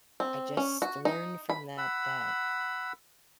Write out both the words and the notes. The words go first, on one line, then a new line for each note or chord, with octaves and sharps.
I just learned from that that
C4
C#4
F#4
D#4
B5
F#5 B5 E6